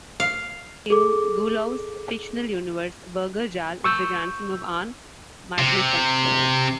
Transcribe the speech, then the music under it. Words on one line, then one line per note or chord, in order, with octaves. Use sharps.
In Guillou's fictional universe, Birger Jarl is the grandson of Arn Magnusson.
F5
G#4 A4 D6
C#6 E6 G6
C3